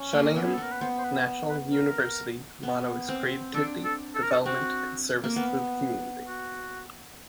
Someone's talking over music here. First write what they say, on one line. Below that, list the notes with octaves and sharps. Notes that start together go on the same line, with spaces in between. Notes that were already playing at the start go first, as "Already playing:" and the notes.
Chungnam National University motto is "Creativity, Development, and Service to the community".
Already playing: C#4
A#3
B3
G#4
A4
B3 A#4
B4
B3 C5
C5
B4
B4
A#4
B3
C4
D4 A4
A4
A4
A#4
A4
C4 F#4
A#3
B3
F#4